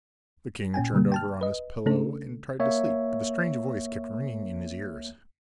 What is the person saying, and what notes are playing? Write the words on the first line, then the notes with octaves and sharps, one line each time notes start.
The king turned over on his pillow and tried to sleep, but the strange voice kept ringing in his ears.
A#2 C#4 G5 G#5
B2 D3 G3 A#3
G5 A5 F6
B4 D#5
C#3 A3 C#4 D4 A4
A#3 C#5 E5